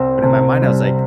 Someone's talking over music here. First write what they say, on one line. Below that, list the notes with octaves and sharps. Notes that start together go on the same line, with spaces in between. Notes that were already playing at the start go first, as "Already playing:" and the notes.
but in my mind I was like,
Already playing: C2 C4
C3
G3